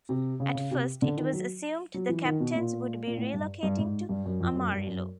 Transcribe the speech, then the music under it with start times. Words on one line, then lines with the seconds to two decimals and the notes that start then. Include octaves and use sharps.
At first it was assumed the Captains would be relocating to Amarillo.
0.09 C3
0.40 C#3
0.55 C#3
0.71 C3
1.02 D3
1.17 D#3
1.33 F#3
1.94 F#3
2.09 E3
2.25 D#3
2.40 B2
2.55 A#2
3.07 A#2
3.17 A2
3.33 G2
3.63 G2
3.78 G#2
4.09 G2
4.26 F#2
4.40 F2
4.56 F#2
4.71 G2
4.87 F#2